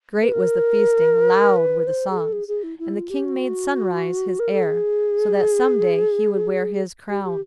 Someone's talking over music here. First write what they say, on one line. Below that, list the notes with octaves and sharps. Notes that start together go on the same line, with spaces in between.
Great was the feasting, loud were the songs, and the King made Sunrise his heir, so that some day he would wear his crown.
B4
A#4
B4
C5
G#4
A4
G#4
G#4
E4
E4
F4
G4
F#4
A#4
A4
G#4
G4
G4